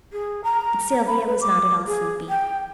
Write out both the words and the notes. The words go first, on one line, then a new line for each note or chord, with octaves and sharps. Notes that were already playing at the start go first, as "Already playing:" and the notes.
But Sylvia was not at all sleepy.
G#4
A#5
B5
B4
D6
G#4
G5